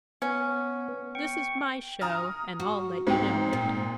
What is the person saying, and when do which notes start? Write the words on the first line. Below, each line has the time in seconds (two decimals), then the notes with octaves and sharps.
This is my show, and I'll let you know it.
0.22 B3 C#4
1.15 G5 C#6
2.01 A#5 D#6 F6
2.60 F#4
3.07 G#2 C4 C5 G5
3.53 A#2